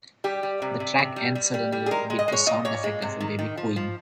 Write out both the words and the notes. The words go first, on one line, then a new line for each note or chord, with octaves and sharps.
The track ends suddenly with the sound effect of a baby cooing.
G3 G4
G3
C3
C3
C3
G3
G3
G3
G3
G#4
G#3 A#4
G#3
D#5
G#3 C#5
A#2 D#5
A#2 C#5
G#3
C3
D#3
D#3
F3
F3